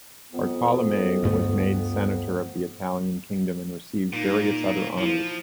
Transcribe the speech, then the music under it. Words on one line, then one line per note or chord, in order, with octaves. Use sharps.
Bartolommei was made senator of the Italian kingdom and received various other honors.
F2 B3
D2 G2 A3
A#2 A#3 D#4
F3 E4